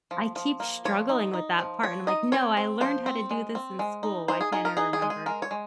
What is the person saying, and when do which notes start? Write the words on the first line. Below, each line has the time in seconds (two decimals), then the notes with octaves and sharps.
I keep struggling with that part, and I'm like, "No. I learned how to do this in school. Why can't I remember?"
0.11 F3
0.36 F3
0.60 A#3
0.85 F3 C#5
1.09 D#4
1.33 D#4
1.59 F3
1.83 F3 C#5
2.07 D#4 D#5
2.32 C4 C#5
2.57 C4
2.81 F3 C5
3.06 C4
3.31 G#3
3.55 C4
3.79 G#3
4.03 D#4
4.28 D#4 C5
4.41 G#4
4.52 D#4 G#4
4.65 A#4
4.77 D#4 G#4
4.93 G#4
5.02 G#3
5.10 G#4
5.26 G#3 A#4
5.42 C#5
5.51 G#3